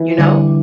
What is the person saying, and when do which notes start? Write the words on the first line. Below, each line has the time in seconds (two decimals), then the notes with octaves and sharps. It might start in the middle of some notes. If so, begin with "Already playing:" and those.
you know?
Already playing: E3
0.18 D3 G3 D4